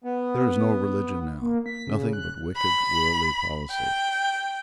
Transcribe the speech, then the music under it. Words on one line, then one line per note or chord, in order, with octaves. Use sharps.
There is no religion now, nothing but wicked, worldly policy.
B3
A#3
B6
C#3
F#6
B5
G5